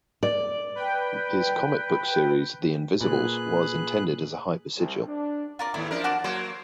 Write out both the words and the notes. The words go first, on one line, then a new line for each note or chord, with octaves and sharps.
His comic book series "The Invisibles" was intended as a hypersigil.
D5
B4 G5
A#2 G#4 B4 F#6
C2
D4
F4 A#4 D5
D#2 A2 E4
F3 D4 A#4
F#4 A5 D6
F#3 A#3 C5